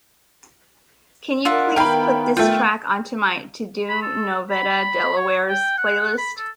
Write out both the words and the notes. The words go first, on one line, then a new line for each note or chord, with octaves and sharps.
Can you please put this track onto my TODO NOVEDADelawareS playlist?
D4 F4 A#4 E5 F#5
D#3 B3 E4 A#4 F5 G5 B5
A3 F4 G5
B5
A4
B5
C#5
G5
F#5
B5
A4